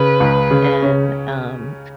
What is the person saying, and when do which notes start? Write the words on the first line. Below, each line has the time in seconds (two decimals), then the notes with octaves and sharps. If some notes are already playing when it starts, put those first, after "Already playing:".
and, um,
Already playing: C#3 B4
0.20 C#2
0.51 C#3
0.82 C#4